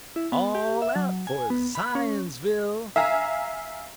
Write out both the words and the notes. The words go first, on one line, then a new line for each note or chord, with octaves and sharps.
All out for Zionsville!
E4
B3
G4
E5
F#3
G#5
B3
B5
C#4
E5 F5 G#5 A#5